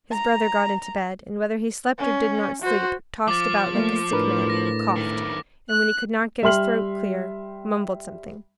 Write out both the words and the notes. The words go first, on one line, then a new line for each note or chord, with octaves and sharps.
His brother got into bed, and whether he slept or did not sleep, tossed about like a sick man, coughed, and when he could not get his throat clear, mumbled something.
A#5
C#4
F#4 C5
F3 D6 A6
A3 A#3
A2 D4 A#4 B4
A#6
D#3 A3
F#6
G3 E5 G5 C6 F6 F#7